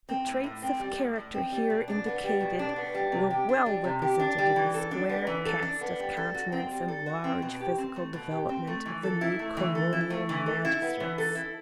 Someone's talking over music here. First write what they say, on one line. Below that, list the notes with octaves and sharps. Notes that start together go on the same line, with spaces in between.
The traits of character here indicated were well represented in the square cast of countenance and large physical development of the new colonial magistrates.
C4
A2
A2
C4
G3
A2
A2
C4
G3
B2
D4
B3
G3
B2
D4
B3
G3
C3
G4
D4
G3
C3
G4
D4
G3
E3
A4
D4
B3
E3
A4
D4
B3
G3
A4
F#4
C4
G3
A4
F#4
C4
B2
G4
C4
A3
B2
G4
C4
A3
E3
A4
E4
A3
E3
A4
E4
A3
E3
A4
E4
B3
E3
A4
E4